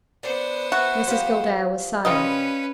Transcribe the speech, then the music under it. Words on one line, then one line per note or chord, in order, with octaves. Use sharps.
Mrs Gildea was silent.
B3 D4 C5
F#4 A4 E5
F3 G4 F5
C3 G3 C#4 F4 B4 D#5